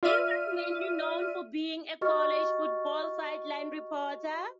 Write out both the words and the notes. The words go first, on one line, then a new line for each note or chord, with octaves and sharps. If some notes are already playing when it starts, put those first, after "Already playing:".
He was mainly known for being a college football sideline reporter.
F4 D5 E5 F6 D#7
F#4 G4 D#5 C#6 F6 A6